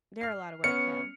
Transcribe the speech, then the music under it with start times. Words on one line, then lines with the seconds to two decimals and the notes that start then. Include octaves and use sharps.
They're a lotta work though.
0.21 F6 C7
0.64 B3 C#4 F6 C#7